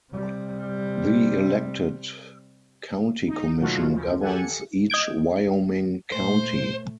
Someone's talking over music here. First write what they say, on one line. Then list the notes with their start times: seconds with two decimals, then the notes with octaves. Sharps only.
The elected county commission governs each Wyoming county.
0.12 C3 G3
3.28 D#4
3.61 B2 D#3 F#3 A3 F4 F#4
3.88 D#2 C#3 F3
4.21 G4 A4 F#5 G#5
4.39 C#7
4.90 D#5 G6 G#6 D7
6.12 A#2 A3 C5